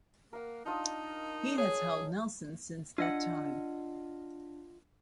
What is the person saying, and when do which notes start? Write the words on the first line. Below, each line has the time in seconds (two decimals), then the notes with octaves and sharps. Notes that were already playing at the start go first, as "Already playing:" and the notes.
He has held Nelson since that time.
0.33 A#3 A#4 F#5
0.66 D4 D#4 F4 D#5
1.58 G#4 C#5
2.98 D4 F4 D#5 F#5